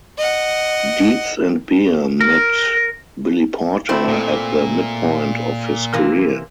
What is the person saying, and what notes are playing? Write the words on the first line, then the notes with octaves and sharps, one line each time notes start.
Dietz and Beer met Billy Porter at the midpoint of his career.
D#5 F#5
A#4
A3 C4 E4
A#2
C3 E3 A#3